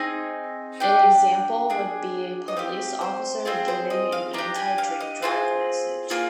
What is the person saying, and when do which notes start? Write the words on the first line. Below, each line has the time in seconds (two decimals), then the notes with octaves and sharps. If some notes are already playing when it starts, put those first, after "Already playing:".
An example would be a police officer giving an anti-drink drive message.
Already playing: C4 D#4 G#4 G#5
0.80 D4 G4 G5
1.70 D4 G#4
2.48 D#5
2.57 C4 G4 F5
3.01 C5
3.45 C4 F4 G#4 C5
3.68 C5
3.90 D#5
4.12 F5
4.33 D4 G4 A#5
4.55 G#5
4.78 F5
5.00 D#5
5.22 C4 F4 G#4 C5
6.10 A#3 F4 G#4